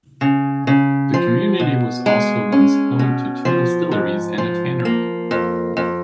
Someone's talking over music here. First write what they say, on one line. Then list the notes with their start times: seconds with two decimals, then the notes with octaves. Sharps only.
The community was also once home to two distilleries and a tannery.
0.21 C#3
0.67 C#3
1.14 F3
1.60 B2
2.06 G#3
2.52 C#4
2.99 B2
3.45 F3
3.91 G#2
4.38 F3
4.85 A#3
5.31 F2
5.77 F2